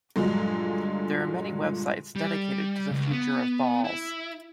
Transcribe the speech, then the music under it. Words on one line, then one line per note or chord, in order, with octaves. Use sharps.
There are many websites dedicated to the future of balls.
G2 A#2 D3 F#3 G#3
G3
C#2
B3
E4